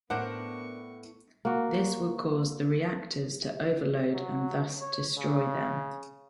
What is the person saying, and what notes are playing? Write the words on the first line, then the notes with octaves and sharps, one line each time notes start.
This will cause the reactors to overload and thus destroy them.
A2 B3 D4 A#4 C5 F#5 C#6
A#3 F#4
F#3
C#5
C#3